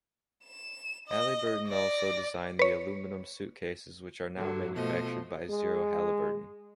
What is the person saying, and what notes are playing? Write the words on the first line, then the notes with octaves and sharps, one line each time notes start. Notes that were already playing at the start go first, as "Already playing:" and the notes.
Halliburton also designed the aluminum suitcases which are now manufactured by Zero Halliburton.
E7
D#5
D5 A#6
B4 C#5
G2 D3 F#3
B2 F3 A3 D#5
G#3